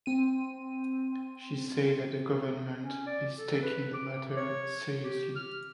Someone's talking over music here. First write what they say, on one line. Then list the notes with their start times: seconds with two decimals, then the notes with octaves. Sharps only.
She said that the government is taking the matter seriously.
0.06 C4 D#7
2.82 C#4
3.07 D5
3.38 A4
3.63 B4
3.94 D6
4.37 C#5
5.04 G4
5.36 F6